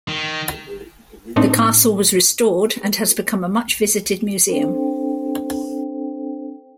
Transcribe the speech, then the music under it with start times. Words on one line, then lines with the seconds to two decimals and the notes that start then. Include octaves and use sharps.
The castle was restored and has become a much visited museum.
0.08 D#3
1.36 A2 A3 C4 D4 D#4
4.49 C4 D4 A4 C5 G5